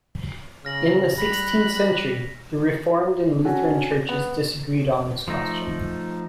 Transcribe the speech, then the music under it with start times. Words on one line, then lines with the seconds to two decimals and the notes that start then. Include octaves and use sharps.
In the sixteenth century, the Reformed and Lutheran churches disagreed on this question.
0.65 C#3 F6 A#6 F#7
1.19 G3 B5 F#6 A#6 B6 F7
3.45 C#4 F#4 A4
4.09 B3
5.28 F3 A3 D#4